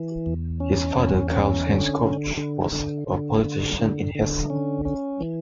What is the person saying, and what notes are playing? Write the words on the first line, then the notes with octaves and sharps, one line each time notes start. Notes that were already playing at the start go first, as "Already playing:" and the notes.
His father Karl-Heinz Koch was a politician in Hessen.
Already playing: E3
E2
C#4
E2
C#4
D3
D3
D3
D3
D3
D3
D3
D3
C#4
C#4
E3